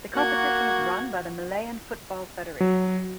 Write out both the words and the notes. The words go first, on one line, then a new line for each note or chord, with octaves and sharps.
The competition is run by the Malian Football Federation.
A#3 F#4 F#5 G#6
F#3